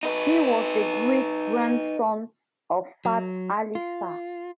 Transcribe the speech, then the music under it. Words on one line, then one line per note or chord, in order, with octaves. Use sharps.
He was the great grandson of Fath Ali Shah.
D#4 B4
F#3
F4